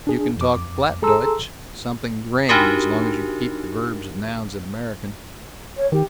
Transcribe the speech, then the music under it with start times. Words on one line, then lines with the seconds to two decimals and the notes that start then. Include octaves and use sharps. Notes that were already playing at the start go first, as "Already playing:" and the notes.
You can talk Plattdeutsch something grand, as long as you keep the verbs and nouns in American.
0.07 D4 G#4
0.37 F2 D6
1.03 G#4 A4 A#5 C6 E6
2.49 D4 D#4 F#4 G4 A#4
5.76 C#5
5.92 D#3 G4